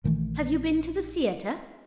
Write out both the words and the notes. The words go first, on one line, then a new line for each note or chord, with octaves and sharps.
"Have you been to the theatre?"
A#1 D#3 E3 A3